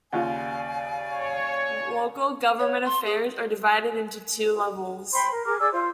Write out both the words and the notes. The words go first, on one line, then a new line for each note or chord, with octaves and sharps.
Local government affairs are divided into two levels.
D#2 C#3 F4 G4 D5 F5 F#5 G#5
C#5
C#5
C6
G#4
C5 G5 B5 C6
A#4
G#4 A#4 D6 F6
G#4 D5 D6 E6
F4 C5